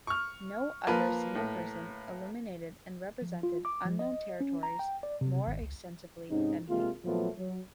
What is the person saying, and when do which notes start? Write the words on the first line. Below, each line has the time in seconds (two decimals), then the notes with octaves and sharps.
No other single person illuminated and represented unknown territories more extensively than he.
0.07 C#6 F6
0.87 F3 A#3 B4
1.35 A2
3.22 F3
3.43 F4
3.65 D6
3.86 F3
3.99 D#5
4.40 C#4
4.63 A#5
4.79 G5
5.03 D5
5.21 C3
5.47 G#1
5.61 C#2
6.30 G#2 C3 C#4 D#4
6.68 C3 G#3 A#3 F4
7.04 A#2 F3 F#3 A3 B3 F4
7.37 F#3